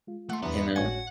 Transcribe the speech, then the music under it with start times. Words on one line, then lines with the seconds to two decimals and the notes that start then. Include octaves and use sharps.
You know?
0.07 G#3 F4
0.30 A3 F#5 C6
0.43 E2 E3 G3 B3 D4 E5 A#5 C6
0.76 G#1 A2 C#4 F#4 C#5 F#5 G#5 G#6